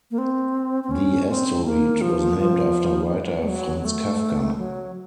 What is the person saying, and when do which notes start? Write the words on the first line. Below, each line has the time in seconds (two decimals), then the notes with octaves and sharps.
The asteroid was named after writer Franz Kafka.
0.11 A#3
0.18 C4
0.84 C4
0.91 C#4
1.29 C4
1.65 A#3
2.01 F3
2.39 F3
3.42 A3
3.48 F#3
3.85 A3
4.58 F#3